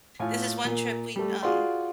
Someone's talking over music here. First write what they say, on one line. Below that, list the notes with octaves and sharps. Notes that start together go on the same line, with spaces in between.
This is one trip we, um
A2 F4 G#5
A#2
G3 A3
F4 F#4 G#4 D5 C6